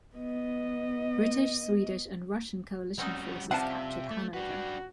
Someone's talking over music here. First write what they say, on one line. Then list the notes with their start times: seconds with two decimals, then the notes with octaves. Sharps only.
British, Swedish and Russian coalition forces captured Hanover.
0.16 B3 D#5
2.98 G3 C4 C#4 D#4 F#4
3.51 C3 F3 G3 F4 E5 F#5 A5
4.11 A3
4.34 D4 F#4 B4